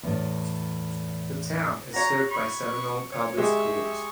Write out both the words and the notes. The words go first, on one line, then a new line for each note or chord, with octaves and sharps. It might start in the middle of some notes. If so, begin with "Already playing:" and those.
The town is served by Seminole Public Schools.
E2 A2
F#4 C#5 A#5
B5 C#6
C#5
G#3 G4 G#4 E5 C#6